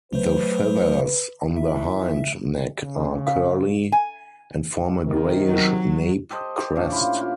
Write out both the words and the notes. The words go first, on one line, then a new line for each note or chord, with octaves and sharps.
The feathers on the hind neck are curly and form a greyish nape crest.
F#3 A3 B4 C5
D#3 E3 E4 E5
C#3
F5
G#5
C3 D#3
F#3
G4 A4 C5 D#5
G4
A#2 A3 C#4 D4
E4 F4
F4